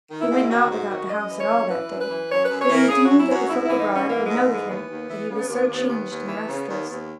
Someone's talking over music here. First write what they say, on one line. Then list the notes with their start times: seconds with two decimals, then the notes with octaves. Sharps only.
He went not without the house at all that day, for he deemed that the folk abroad would note of him that he was so changed and restless.
0.10 D#3
0.21 E4
0.30 G#2
0.50 D#3 F#4
0.71 G#2
0.90 D#3
1.10 F#2 D#5
1.30 E3
1.40 C#5
1.51 F#2
1.70 E3 B4
1.90 F#2
2.01 B4
2.10 E3
2.30 F#2 C#5
2.45 F#2 B4
2.60 C#5
2.69 E3
2.75 A#4
2.89 C#3 G#4
3.04 F#2 F#4
3.19 E4
3.30 F#2 F#4
3.49 G#2 E4
3.64 E3 E4
3.79 D#4
3.89 G#2
3.94 C#4
4.09 E3 A#3
4.24 G#3
4.29 G#2
4.49 E3 G#3
4.68 D#2 B3
4.88 D#2
5.09 E3
5.28 C#3
5.48 D#2
5.68 D#2
5.88 D#2 B3
6.08 D#2
6.28 E3
6.48 C#3
6.68 D#2
6.89 D#2